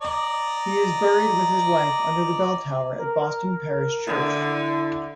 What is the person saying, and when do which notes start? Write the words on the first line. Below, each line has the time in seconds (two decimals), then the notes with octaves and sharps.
He is buried with his wife under the belltower at Boston Parish Church.
0.02 D5 D#5 A#5
2.99 A#4
4.07 D3 E4